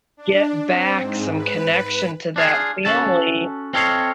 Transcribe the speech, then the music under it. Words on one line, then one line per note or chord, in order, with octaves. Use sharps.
get back some connection to that family,
D4
C4
G#2
B4
D4 F4 G#4
C#4 F#4 A4 A5
C4 F4 A4 C#5 D#5 F5